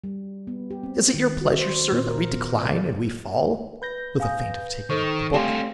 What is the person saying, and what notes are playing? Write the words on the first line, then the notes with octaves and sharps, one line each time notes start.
Is it your pleasure, sir, that we decline and we fall?' with a feint of taking up the book.
G3
B3
G4
C4
D#3
F#4
C5
A#2
A#4
B3
D5
B4 G6 A#6
F5 G#5 D#6
D#3 A4 C5 C#6
A3 C4 D4 G4 F5 G#5 C6